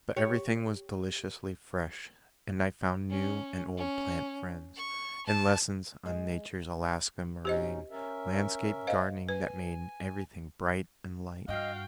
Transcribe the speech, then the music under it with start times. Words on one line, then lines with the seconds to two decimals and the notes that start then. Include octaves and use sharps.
But everything was deliciously fresh, and I found new and old plant friends, and lessons on Nature's Alaska moraine landscape-gardening that made everything bright and light.
0.16 G4 C#5
3.10 C#4
3.77 C#4
4.76 C#6
5.26 A5
6.06 G#3
7.45 B2 C#4 D#4 G4 C5 D#5
7.90 C#4 A#4 E5
8.87 C5 D#5 F5
9.29 B4 G#5
11.48 G2 F#4 D#5 F5 G5